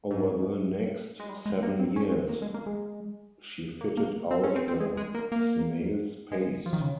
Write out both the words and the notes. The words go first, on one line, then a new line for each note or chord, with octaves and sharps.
Over the next seven years, she fitted out at a snail's pace.
G#2
G#3
G3
G#3
A#3
C4
C#4
C4
A#3
G#3
A#3
G#3
A#3
A#3
C4
C#4
C4
C4
G#3
G#3
A#3
A#3
G#3
F3
D#3
C#3